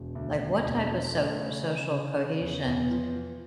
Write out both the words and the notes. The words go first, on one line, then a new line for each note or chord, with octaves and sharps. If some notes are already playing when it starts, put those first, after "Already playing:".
Like, what type of so social cohesions
Already playing: E1
D2
E1
E1
F3
A3
C#3
C#3
C#3
C#3
E2
E2
F3
F3